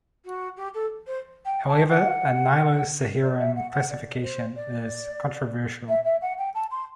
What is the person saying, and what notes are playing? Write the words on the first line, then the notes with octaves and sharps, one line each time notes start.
However, a Nilo-Saharan classification is controversial.
F#4
G4
A4
C5
G5
A5
F#5
D5
E5
F#5
F#5
D5
C5
D5
E5
E5
F#5
G5
A5
C6